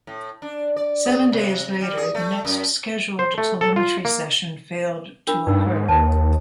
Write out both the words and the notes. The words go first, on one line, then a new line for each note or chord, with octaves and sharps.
Seven days later, the next scheduled telemetry session failed to occur.
A2
D4
D5
G#4
C3
G3
G#4
A3
F#2
C5
A3
A4
F4
A#3
D4 A#4 B5
G2 D#4 E6
G#2
D#2 B4 A5